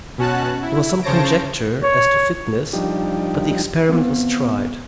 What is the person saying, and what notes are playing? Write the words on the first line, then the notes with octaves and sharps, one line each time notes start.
There was some conjecture as to fitness, but the experiment was tried.
B2 C#4 F#4 A5 F#6
E4
C#3 C5 C#5 A5 A#6 D7
C#5
F3 G3 D4 D#4 G4
B3 C4